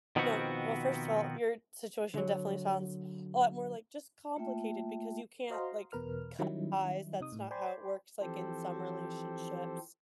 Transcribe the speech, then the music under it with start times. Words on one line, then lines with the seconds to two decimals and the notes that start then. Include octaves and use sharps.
No well, first of all, your situation definitely sounds a lot more, like, just complicated because you can't, like, cut ties, that's not how it works, like, in some relationships.
0.16 B2 D#3 F3 B3 C4 F#4
2.14 D3 F#3
4.36 A3 A#3 F4 E5 G5 A5
5.50 F#4 C5 D#5 F5 A#5 C6
5.92 E2 B2 A#4 B4 F6
6.39 D#3 F#3 G3 C#4 D#4 E4
7.20 C3 D#4 D#6
7.32 A2
7.51 C5 D5 G5 G#5 B5 C6
8.21 E3 F3 C4 G4 A4 C5